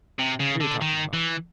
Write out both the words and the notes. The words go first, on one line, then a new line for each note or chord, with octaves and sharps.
What are yer talking about?
C3
C#3
D3
D#3
E3